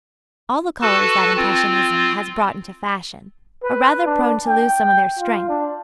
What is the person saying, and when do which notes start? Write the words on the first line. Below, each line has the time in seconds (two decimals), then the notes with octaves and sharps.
All the colours that Impressionism has brought into fashion, are rather prone to lose some of their strength.
0.82 F#4 A4 B4 A5
1.37 C4 F4
3.64 B4
4.06 D4
4.47 G5
5.19 F4
5.49 D4